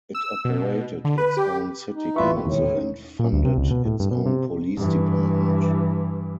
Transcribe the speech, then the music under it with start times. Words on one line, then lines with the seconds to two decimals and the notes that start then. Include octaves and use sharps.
It operated its own city council and funded its own police department.
0.15 E6
0.45 B2
1.05 D3
1.18 B4
1.37 G4
1.95 D#4
2.16 A1 F4 B4 E5 C#6
2.33 B2 D#3 A#3
2.45 E1 D#2 A2
2.74 C#4 D#4
3.19 A#2
3.33 D2
3.45 C3
3.58 C#2
3.71 B2
3.85 A2
4.00 G2
4.11 B2
4.26 C3
4.76 G2 E3